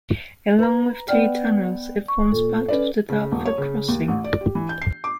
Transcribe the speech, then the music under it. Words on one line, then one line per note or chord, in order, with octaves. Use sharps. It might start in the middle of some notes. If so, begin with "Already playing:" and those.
Along with two tunnels, it forms part of the Dartford Crossing.
B4 A#5
B3 D5 F#5 G5 F6
C#6
A#2 A4
C#4 B4 D5
C#3
D#1
C#5
C#3
D#2
A1
D5
G4
E3
G6
C7
D6